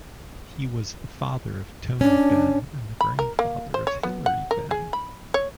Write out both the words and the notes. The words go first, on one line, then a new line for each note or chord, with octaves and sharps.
He was the father of Tony Benn and the grandfather of Hilary Benn.
C#4 D4
B5
A#4
A#3
C5
C#5
B3
F#5
A#4
G#4
B5
C#5